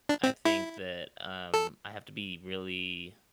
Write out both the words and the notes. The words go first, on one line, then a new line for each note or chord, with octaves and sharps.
I think that, um, I have to be really,
D4
C4
E4
A4